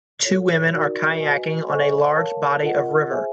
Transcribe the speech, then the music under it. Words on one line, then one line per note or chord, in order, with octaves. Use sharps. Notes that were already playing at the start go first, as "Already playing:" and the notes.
Two women are kayaking on a large body of river.
F4 A4 C#5
D#4 F#4 A#4 D5
F#4 B4 D#5 G#5
A4 C5 D#5 G#5 C#6
A#4 C#5 F5 A5
F4 A#4 D#5 F#5
G#4 C5 E5 G#5